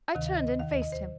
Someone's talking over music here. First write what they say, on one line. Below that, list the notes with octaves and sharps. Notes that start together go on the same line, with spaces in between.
I turned and faced him.
D2 C3 D#3 D#5
F5
D#5
D#5
D#2 D#3 F5
D#5
D#5
C5